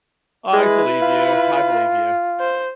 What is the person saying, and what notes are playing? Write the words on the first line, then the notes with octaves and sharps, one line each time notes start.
I believe you. I believe you.
G#3 E4 B4
F4
C5